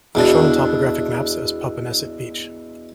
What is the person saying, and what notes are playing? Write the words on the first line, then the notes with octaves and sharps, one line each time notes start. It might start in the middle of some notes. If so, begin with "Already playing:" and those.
It is shown on topographic maps as Popponesset Beach.
E2 B2 D4